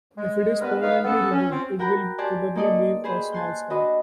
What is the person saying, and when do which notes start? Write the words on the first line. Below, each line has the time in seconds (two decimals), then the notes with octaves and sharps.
If it is permanently removed it will probably leave a small scar.
0.16 G#3
0.59 G2 B3 A#4 B4
0.81 D#4 B4 F5
1.04 B3 C#4 A4
1.31 C#4
1.50 C4 F4
1.79 F#4 A#4 F#5 G5 A#5 B5
2.18 G4 C5 D5 G#5 A5
2.55 A#3 D#4 A4 D5 D#5
3.04 G#4 B4 C5 G5
3.32 G#5 A5 C6 F#6 G6
3.70 D4 F#4 B4 D#5